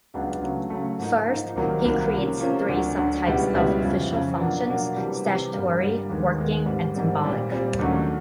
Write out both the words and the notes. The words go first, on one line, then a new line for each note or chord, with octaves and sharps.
First, he creates three sub-types of official functions: statutory, working, and symbolic.
C#2 C#3 F#3 B3 D4
C#3 F#3 A3
C#3 F#3 A3
G#2 F3 A#3 D#4
G#2 F3 A#3 D#4
C2 C3 D#3 F#3 A#3
C2 C3 D#3 F#3 A#3
C3 F3 A#3 C#4
C3 F3 A#3 C#4
D2 D3 F#3
D2 D3 F#3
C#2 B2 G3 B3 E4
C#2 B2 G3 B3 E4
F2 C#3 F3
F2 C#3 F3
B2 F#3 A#3 D4
B2 F#3 A#3 D4
C3 E3 G3
C3 E3 G3
G2 D3 G3 A#3
G2 D3 G3 A#3
D#2 D#3 G#3 B3
D#2 D#3 G#3 B3
G#2 D#3 G3 C4
G#2 D#3 G3 C4
A#2 G3 C4
A#2 G3 C4
D#2 D3 F#3 A3 C#4